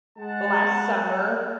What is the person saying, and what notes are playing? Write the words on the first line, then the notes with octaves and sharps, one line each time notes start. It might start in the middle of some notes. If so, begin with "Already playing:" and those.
last summer
G#3 F#5 A5